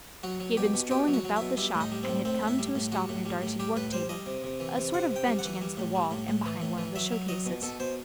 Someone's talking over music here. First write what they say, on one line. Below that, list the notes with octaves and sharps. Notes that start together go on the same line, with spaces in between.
He had been strolling about the shop, and had come to a stop near Darcy's work table--a sort of bench against the wall, and behind one of the showcases.
F#3 F#4
F#3
B2 G4
B2
B2 G4
F#3
F#4
F#3
E4
B2
G3 E4
A2
D#4
G3
A2 C4
A2 C4
A2 E4
G3
A2
G3 F#4
A2
G3
A2
G3 G4
A2 B4
G3 C5
G3 D#5
C3
C3
E3
C3
C3 F#5
C3
G5
G3
F#5
E3
G3
A2
G3
A2
A2
E3
A2
E3
F#3 E5
F#3
F#3 D#5
B2
B2 A4
B2 C5